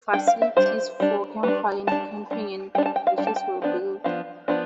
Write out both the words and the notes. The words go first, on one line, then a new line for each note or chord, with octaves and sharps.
Facilities for campfire and camping, and bridges were built.
G3 D4 G5
F5
E5
G3 D4 C5
G3 D4
G3 D4 B4
G3 D4 A5
G3 D4
G3 D4 G5
A5
G5
F5
G3 D4 G5
A5
G5
F3 B3 D4
F3 B3 D4 F5
F3 B3 D4